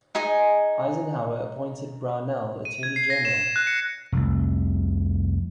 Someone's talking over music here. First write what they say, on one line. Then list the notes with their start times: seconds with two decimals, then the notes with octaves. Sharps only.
Eisenhower appointed Brownell Attorney General.
0.15 D#4 G#4 D#5 G#5
2.65 D#7
2.83 G#6
2.96 C7
3.10 A#6
3.25 E7
3.56 F#6
3.67 C#7
4.12 F1 C2